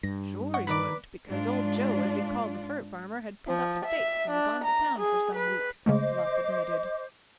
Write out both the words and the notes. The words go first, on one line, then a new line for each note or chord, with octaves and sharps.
"Sure he would, because Old Joe, as he called the fur farmer, had pulled up stakes and gone to town for some weeks," Bluff admitted.
G2 A#6
D#5 F#5 C#6
D#3 B4 C#5 D5 A#5 B5
G#2 D4 F4
F3
E5
D4
A#5
G#4
B4
C#3 G#3 A3 C5 D#5 D6